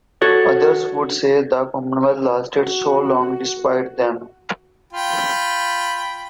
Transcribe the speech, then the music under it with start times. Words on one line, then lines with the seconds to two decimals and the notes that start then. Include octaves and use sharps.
Others would say the Commonwealth lasted so long "despite" them.
0.22 F#4 A4 C#5
2.57 F#4
4.93 F4 G5 B5